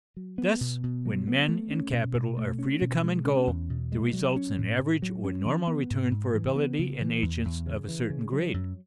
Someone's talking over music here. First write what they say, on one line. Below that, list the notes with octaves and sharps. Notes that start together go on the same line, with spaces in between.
Thus, when men and capital are free to come and go, there results an average or normal return for ability and agents of a certain grade.
F#3
B3
B2
B2
F#3
B3
A3
C#4
B2
B2
A3
C#4
B2
G#3
C#4
E2
B2
G#3
F#3
C#4
A2
A2
F#3
C#4
E3
B3
G#2
G#2
E3
B3
C#3
E3
E2
E2
C#3
E3
C#3
F#3
F#2